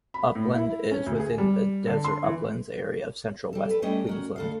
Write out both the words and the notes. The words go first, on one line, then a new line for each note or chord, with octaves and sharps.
Upland is within the Desert Uplands area of Central West Queensland.
B5
A2
E4
C#4
D2
G#4
G3
D3
C6
E3
G3 A4
A4 B4
G3 A3 C#4 G4 D#5
C#4 F#4 A#4
D2 A4 F5